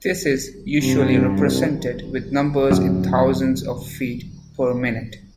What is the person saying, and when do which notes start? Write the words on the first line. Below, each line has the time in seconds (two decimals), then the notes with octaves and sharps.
This is usually represented with numbers in thousands of feet per minute.
0.81 G2 C3
1.37 C2
2.71 D1 F#2